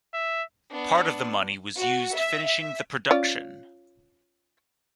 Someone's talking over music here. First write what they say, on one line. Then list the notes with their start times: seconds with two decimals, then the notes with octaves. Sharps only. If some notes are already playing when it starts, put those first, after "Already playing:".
Part of the money was used finishing the production.
0.14 E5
0.71 B3 D4
1.77 F#4
2.14 E5
2.46 E5
3.11 C#4 F4 D5